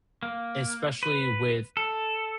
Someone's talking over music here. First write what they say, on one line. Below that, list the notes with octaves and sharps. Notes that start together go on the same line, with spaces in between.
especially with
A#3
B4
A4